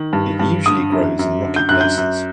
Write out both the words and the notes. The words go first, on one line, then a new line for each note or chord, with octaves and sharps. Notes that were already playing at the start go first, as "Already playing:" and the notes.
It usually grows in rocky places.
Already playing: D#3
G2
G2
D3 D#6
F#2
F#2
D3
G6
F#2 F#6
G6
F#2